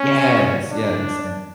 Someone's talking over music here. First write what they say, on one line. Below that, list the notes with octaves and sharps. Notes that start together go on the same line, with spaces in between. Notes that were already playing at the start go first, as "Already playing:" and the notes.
Yes, yes, yes.
Already playing: C#4
D4